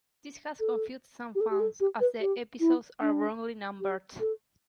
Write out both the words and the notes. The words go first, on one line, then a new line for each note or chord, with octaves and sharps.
This has confused some fans, as the episodes are wrongly numbered.
A4
G4
A4
G4
A4
G4
B4
G4
E4
D4
G4
A4